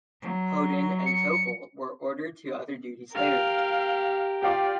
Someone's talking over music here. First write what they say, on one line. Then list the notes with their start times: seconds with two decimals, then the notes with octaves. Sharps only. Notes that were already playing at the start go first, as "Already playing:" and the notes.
Hoden and Toeppel were ordered to other duties later.
0.21 F#3
1.06 C#7
3.15 G4 A#4 F5
4.42 F4 G4 D5 F5 G5 D6